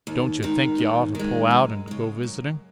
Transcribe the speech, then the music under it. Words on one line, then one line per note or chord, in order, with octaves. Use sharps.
"Don't yuh think yuh ought to pull out and go visiting?"
D#2
D#3 G#3
D#2
D#3 G#3
F#2
C#3 G#3
F#2